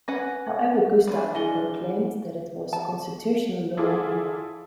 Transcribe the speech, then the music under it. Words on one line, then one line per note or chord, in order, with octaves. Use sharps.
However Gustav proclaimed that it was constitutional law anyway.
C#4 B4 F#5 A#6
G3 D4 F4
E4 G#4 D5 D#5 G#5 G7
A5
E4 F4 G#4 A4 G#5 D6